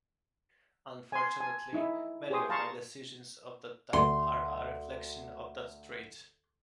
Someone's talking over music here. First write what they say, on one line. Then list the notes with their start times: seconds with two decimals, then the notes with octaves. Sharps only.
Unfortunately, many of my decisions of that time are a reflection of that trait.
1.12 G#5 C6
1.40 G#5 A5
1.73 D#4 E4 D#5
2.30 G4 G#4 C5 C#5 C6 D#6
2.49 F5 A5 A#5 C6 C#6
3.93 D2 C6